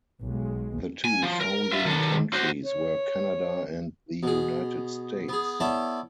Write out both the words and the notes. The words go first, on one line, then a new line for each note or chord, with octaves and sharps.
The two founding countries were Canada and the United States.
B1 G#3
G#5
F3
A#4
F4 E5
D#3 A4
F#4 C5
C#5
B2 G#4
B3 G#4
B3 E4 A4 C#5 D5 A5